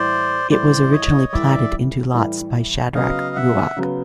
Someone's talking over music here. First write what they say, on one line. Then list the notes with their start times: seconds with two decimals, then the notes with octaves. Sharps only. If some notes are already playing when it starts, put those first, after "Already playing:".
It was originally platted into lots by Shadrach Ruark.
Already playing: A2 E3 G3 C5 D5
0.51 A2 E3 G3 C5 D5
0.92 C#5 D#5
1.32 A2 E3 G3 D5 E5
2.14 A2 E3 G3
2.95 C#3 F#3 B3 D#5 F5
3.36 E5 F#5
3.77 C#3 F#3 B3